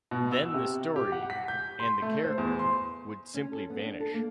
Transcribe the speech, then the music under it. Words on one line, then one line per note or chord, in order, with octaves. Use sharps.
Then the story - and the character - would simply vanish.
B2
E6
C3
G4
F#5
B6
G6
C6
A3
C5
E2
C6
C#4
A4
B3
D4
A4
A#3